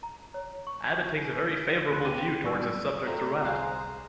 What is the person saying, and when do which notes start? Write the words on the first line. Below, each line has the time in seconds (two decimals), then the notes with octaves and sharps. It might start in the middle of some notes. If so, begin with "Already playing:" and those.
Abbott takes a very favourable view towards his subject throughout.
0.03 A#5
0.34 C#5
0.67 C#6
0.89 G6
1.18 D#4
1.35 B4
1.91 D2 D3 B5 C6 F#6
2.05 B3 G4 D#7
2.44 G2 F#3 B3 D5 C#6 E6
3.07 A3 C4 F4 A#5 E7
3.45 C2 G#4 C5 F5 F#6